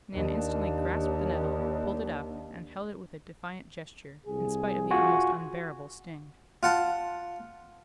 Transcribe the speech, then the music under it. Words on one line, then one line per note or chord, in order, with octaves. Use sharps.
Nan instantly "grasped the nettle," pulled it up, and held it with a defiant gesture, in spite of the almost unbearable sting.
D#2 D4
C2 G#4
F4 F#4 G#5
F4 F#5 A5